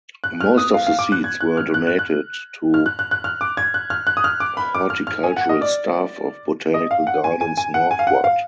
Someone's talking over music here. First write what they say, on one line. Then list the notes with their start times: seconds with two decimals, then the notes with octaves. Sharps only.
Most of the seeds were donated to horticultural staff of botanical gardens northward.
0.24 F#6
0.41 F6
0.58 D#6
0.74 F5
0.87 F5
0.99 D6
1.12 F#6
1.24 G#6
1.41 F#6
1.57 F6
1.74 F#6
1.87 F#6
1.99 F#6
2.74 F6
2.86 F#6
2.99 F#6
3.11 F#6
3.24 F6
3.41 D6
3.57 G#6
3.74 F#6
3.90 F6
4.07 F#6
4.17 D#6
4.24 F6
4.40 D6
4.57 B5
4.75 D6
4.90 F6
5.07 F6
5.23 G#5
5.37 F#5
5.49 D#5
5.61 D5
6.74 D#5
6.91 F5
7.07 F#5
7.24 G#5
7.41 G#5
7.57 G#5
7.74 F#5
7.91 G#5
7.99 F5
8.07 F#5
8.24 F5